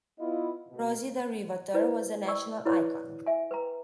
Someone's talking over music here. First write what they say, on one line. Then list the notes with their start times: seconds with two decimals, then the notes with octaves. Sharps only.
Rosie the Riveter was a national icon.
0.20 B3 E4 F4 D#5
0.69 B2
1.74 E4 B4 C5 D5
2.27 D5 C#6 E6
2.65 E4 B4 C#5 D5 F#5
3.27 E5 G#5
3.51 B4 G5 A#5